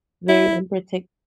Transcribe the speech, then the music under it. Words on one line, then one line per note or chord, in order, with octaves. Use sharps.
very unpretic
E4